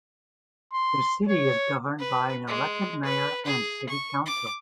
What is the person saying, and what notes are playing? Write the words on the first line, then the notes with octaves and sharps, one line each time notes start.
The city is governed by an elected mayor and city council.
C6
C#5
B4
G#3
B4
G#4
C#6
D6